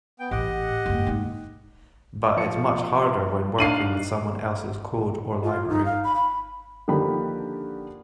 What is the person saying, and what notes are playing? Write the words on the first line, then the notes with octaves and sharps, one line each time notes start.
But it's much harder when working with someone else's code or library.
B3 G5
A1 G4 D#5 F#5
F#1 G#2
G#2 D#3
F3 C#7
D4 D#4 F5 C7 D#7 F#7
F4
D#4
F5
B5
B5
D3 D#3 F3 A#3 G4 B5